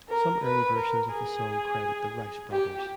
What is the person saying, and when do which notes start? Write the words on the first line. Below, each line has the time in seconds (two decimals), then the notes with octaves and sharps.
Some early versions of the song credit the Rice Brothers.
0.09 A#4
0.43 B4
0.77 A#4
1.12 G#4
2.51 G4